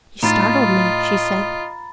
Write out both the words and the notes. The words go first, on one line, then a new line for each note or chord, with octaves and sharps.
"You startled me," she said.
A2 D#4 F4 D#5 A#5 B5 A6